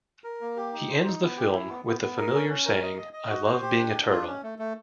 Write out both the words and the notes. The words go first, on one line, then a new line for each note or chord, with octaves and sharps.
He ends the film with the familiar saying, I love being a turtle.
A#4
A#3
G4
D#4
C5
D#4
B3
G4
E4
B3
B3
B3
A#4
C#4
C#4
A#4
D#5
D#5
D#5
F#4
C5
G4
D4
D4
F4
C#4
A3
A3